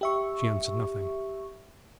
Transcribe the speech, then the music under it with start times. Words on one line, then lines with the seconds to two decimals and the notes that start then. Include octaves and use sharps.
She answered nothing.
0.01 G4 E5 C#6